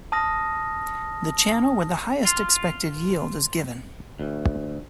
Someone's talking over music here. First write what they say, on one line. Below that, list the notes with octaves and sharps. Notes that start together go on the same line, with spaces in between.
The channel with the highest expected yield is given.
A5 D#6 F6 A#6
F4
D2